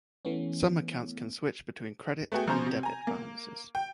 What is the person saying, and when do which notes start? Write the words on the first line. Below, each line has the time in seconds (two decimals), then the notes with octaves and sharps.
Some accounts can switch between credit and debit balances.
0.25 E3 A3 B3 C#4
2.32 A3 B3 F#4 G#4 G5
2.47 B2 F3 C#4 C5 A#5 G6
2.66 C3
2.83 G#5 A#5
3.07 A#3
3.75 G5